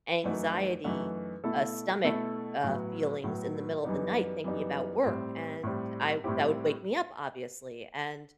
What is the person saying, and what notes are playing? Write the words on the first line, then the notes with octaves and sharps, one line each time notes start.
anxiety, uh, stomach, uh, feelings in the middle of the night thinking about work, and I that would wake me up, obviously, and
F#2 E3 A3 D#4 F#4
F#2 E3 A3 D#4 F#4
B2 A3 E4 A4
B2 A3 E4 A4
A2 F#3 B3
A2 F#3 B3
F#2 E3 G3 B3 D#4
F#2 E3 G3 B3 D#4
A2 G3 C4
A2 G3 C4
A2 G3 C4 E4 G4